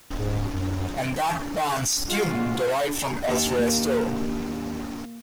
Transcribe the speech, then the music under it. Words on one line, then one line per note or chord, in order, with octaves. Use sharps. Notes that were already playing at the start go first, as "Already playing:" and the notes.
And that band's tunes derive from elsewhere still.
G#2
F#2
G#3 F4 F#4
D#2
A#3